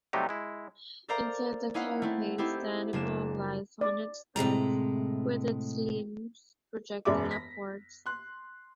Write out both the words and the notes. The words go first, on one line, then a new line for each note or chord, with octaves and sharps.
Inside the carapace, the animal lies on its back, with its limbs projecting upwards.
C3 F#3 G3 A3 D#4 G4
G#3 E4
A4 A#4 C5 D5 F5 A#5
A#3 C#4 D#4 E4 F5 F#5
A3 C4 E4
C4 D#4 E4 G4 A4 C5
F#1 A#3 D4 E7
D5
A2 C3 G#3 A#5
E1 F#2 G#3 D5 E5 D6
A#6 B6
C6 F#6